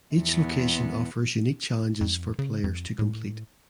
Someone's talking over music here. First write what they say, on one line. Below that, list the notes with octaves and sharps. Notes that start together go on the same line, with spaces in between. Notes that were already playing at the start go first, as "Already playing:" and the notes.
Each location offers unique challenges for players to complete.
E2 B3
F2
C#3
F2
A2